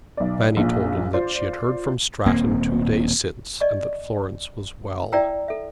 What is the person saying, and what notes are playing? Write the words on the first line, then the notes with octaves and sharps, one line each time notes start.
Fanny told him that she had heard from Stratton two days since, and that Florence was well.
B1 D5
A#1 A#2
F4 C5 D5
D#1 A#3 C4
D5 D#5 C#6
E4 D5 E5 G5 A#5 E6
A4 E5